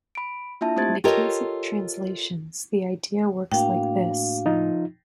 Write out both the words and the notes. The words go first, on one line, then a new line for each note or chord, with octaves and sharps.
In the case of the translations the idea works like this.
B5 D7
A#3 D4 E4 F4 E5 A5
A3 C4 G4 C5 G#6 A6
F4 G4 A4 A#4 C#5 D#5
A2 A#3 D4 F#4 F5 G5
F3 D#4 F4